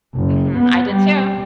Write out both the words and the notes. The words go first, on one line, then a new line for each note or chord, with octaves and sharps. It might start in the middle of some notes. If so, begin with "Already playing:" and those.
Mhm. I did too.
F#1
B3
G3